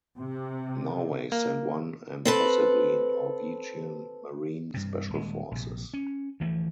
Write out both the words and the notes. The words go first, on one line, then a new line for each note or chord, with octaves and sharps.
Norway sent one and possibly Norwegian marine special forces.
C3
A#3
C4 A4 B4
G2 C3
D#1 G#3
A#1 C3
C#4
D2 E3 F3 A3